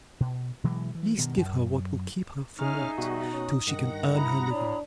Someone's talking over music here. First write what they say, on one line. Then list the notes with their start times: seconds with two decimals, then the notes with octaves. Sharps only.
But at least give her what will keep her from want, till she can earn her living.
0.20 B2
0.64 B2 E3 F#3 G#3
0.95 E3
1.17 G2 B2 D#3
1.37 F#2
2.59 C#4 D#4 G#4 E5 F6
2.98 B2 G3 F#4
3.33 C#4 D#6
3.67 G2 D#3 F#5 A#6
4.14 E4 A#5 B5 D#6
4.51 A2 D4